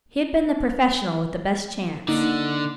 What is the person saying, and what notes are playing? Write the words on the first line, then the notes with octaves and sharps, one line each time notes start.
He had been the professional with the best chance.
D3 A#3 D#4